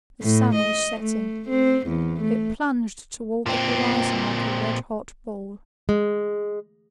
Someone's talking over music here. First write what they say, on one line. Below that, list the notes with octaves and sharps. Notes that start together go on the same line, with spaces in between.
The sun was setting; it plunged towards the horizon like a redhot ball.
A2
D#5
A3
C4
E2
A3
A#2 C4
G#3